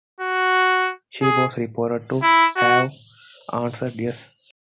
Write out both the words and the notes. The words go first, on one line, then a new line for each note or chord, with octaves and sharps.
She was reported to have answered "Yes".
F#4
G#4
E4
F#4